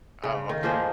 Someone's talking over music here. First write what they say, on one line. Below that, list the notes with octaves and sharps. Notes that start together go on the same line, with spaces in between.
Oh, okay.
C#3
D#3
F3 A#3 G#4 C5